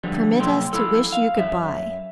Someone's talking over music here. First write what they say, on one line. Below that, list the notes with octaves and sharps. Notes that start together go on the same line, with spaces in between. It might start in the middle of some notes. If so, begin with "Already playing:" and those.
Permit us to wish you good-by.
D3 F3 G3
C2 A#2 F#3 A4 G5 C6
F3 E4 A4
F5
F#2 E5